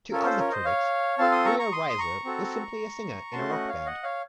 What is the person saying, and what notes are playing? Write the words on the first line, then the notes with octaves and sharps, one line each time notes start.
To other critics, Rio Reiser was simply a singer in a rock band.
C#4 F4 A4 A#4 C#5
A4 C5
A#4 C#5
C5 D#5
C#5 F5
C4 F4 A4 F5 A5
C6 D#6
A#5 C#6
A#5 C#6
C6 D#6
D#6
A#5 C#6
C4 F#4 A4
A3 C#4 F#4 A5 C6
D#5 F#5
C#5 F5
D#5 F#5
C#5 F5